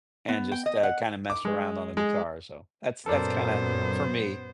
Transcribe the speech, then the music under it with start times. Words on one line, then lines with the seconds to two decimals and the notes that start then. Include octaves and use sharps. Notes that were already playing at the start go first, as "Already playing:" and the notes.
and just, uh, kinda mess around on the guitar, so, that's that's kinda for me.
0.28 B3
0.52 G5
0.66 D#5
0.83 F#5
1.30 D6
1.45 G#3
1.97 G#3
3.06 F#2 A#2 B3 A4 A#4 C5 D5